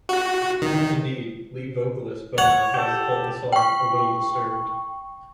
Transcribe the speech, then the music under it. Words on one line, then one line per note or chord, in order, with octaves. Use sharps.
Indeed, lead vocalist Bono has called the song "a little disturbed".
F#4
D#3
C#5 F#5
G4 A4
G5 C#6